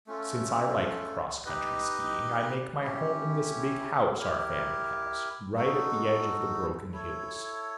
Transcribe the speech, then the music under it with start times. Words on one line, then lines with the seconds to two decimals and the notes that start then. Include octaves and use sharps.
Since I like cross-country skiing I make my home in this big house our family has, right at the edge of the Broken Hills.
0.07 A3 C#4 F4 A4
1.45 D#4 G4 B4 D#5
2.81 C#4 E4 G4
4.19 E4 G4 A#4
5.56 D#4 F#4 A4
6.93 E4 A4 C#5